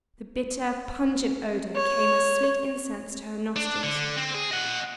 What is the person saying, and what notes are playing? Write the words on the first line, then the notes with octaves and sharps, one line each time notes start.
The bitter, pungent odour came as sweet incense to her nostrils.
C#5
D4
D3
C4
G#4
D#5 F#5